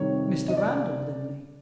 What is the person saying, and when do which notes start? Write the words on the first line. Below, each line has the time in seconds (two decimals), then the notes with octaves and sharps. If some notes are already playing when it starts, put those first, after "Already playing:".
"Mr. Randal Linley."
Already playing: F2 C3 D#3 G3 C#5
0.48 D#5
0.57 D5